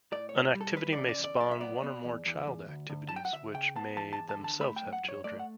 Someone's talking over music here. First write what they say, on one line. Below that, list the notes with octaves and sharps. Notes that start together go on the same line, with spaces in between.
An activity may spawn one or more child activities, which may themselves have children.
A2 D5
B1 C#5
G3
A4
E2 B4
D5
C#3
D5
E2 D5
B1 D5
E5
B3 D5
B3
E2
E2
E2
D2
D2
A5
F#3 G5
F#5
D2 E5
C#3 G5
B3 A5
E2 A5
A5
E2
A5
D3
A5
A3 B5
G5
F#2
F#5
F#2 C#5
A3 D5
F#5